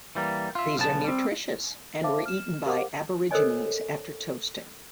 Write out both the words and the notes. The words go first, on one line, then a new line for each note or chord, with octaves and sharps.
These are nutritious and were eaten by Aborigines after toasting.
E3 G3 A#3
F4 E5
B1 C#3 B3 A5
G3 C4
C5 E5 F5 A5 D6
F6 E7
G4 A#4 C5 F5 F#5 D6
A4 A#4 C5 C#5 D#5 G#5